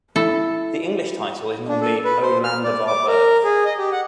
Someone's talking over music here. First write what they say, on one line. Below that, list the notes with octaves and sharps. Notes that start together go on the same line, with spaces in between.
The English title is normally "O Land of Our Birth".
E4 A4
D4
A4
B4
C5
F6
D5
D6
A#4
G#4
D#5
G4
F#5